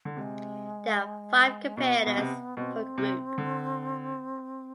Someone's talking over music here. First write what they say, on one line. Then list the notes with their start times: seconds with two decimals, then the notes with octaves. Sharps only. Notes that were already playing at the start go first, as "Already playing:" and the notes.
There are five competitors per group.
0.05 D3
0.16 C3 G#3
1.76 B2 B3
2.06 B2
2.17 C3
2.57 B2 C4
2.98 C3
3.38 D3